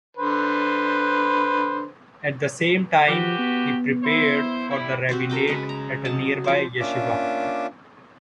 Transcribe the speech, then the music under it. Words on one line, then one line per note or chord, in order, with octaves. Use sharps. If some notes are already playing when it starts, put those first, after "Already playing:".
At the same time, he prepared for the rabbinate at a nearby yeshiva.
D3 B4 C5
F3 F#4 G4 B4
B3
E4 C5
G3 E4
C4 F#4 G4 C5
A4 A#4 G5 D6
C#3 G#3 B4
A#5
F#3 D#5 A5
F3 C5
A#3 C#4 D4 F4 E5 D6